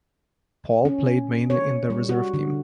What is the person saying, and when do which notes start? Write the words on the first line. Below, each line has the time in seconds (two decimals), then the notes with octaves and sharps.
Paul played mainly in their reserve team.
0.85 C#4
1.50 C#5
1.90 G3
2.09 F#4
2.34 D3